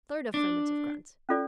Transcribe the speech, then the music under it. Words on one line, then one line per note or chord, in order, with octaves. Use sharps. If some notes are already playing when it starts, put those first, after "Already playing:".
Third affirmative grunt.
D4
C#4 F4 A4 D5